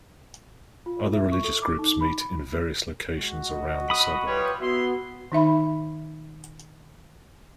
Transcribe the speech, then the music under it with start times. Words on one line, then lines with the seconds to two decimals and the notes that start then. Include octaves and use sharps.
Other religious groups meet in various locations around the suburb.
0.86 F4
1.13 E5
1.32 C#6
1.44 A4
1.62 D6
1.79 D#4
2.01 B5
3.15 G#3 F#4
3.45 D#5
3.90 B5 D#6
4.26 G3 F4 B4 C#5
4.61 B3 E4 F#4 C6
5.32 D#3 D#4 E5 B5